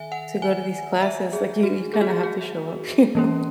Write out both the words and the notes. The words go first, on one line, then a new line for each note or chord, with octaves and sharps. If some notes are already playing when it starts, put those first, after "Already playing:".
to go to these classes. Like, you you kinda have to show up, you know?
Already playing: D#3 E5 G#5
F#5
G#5
E5
G#4
F#4
G#4
F#4
G#4
G#4
E3 A#3 C#4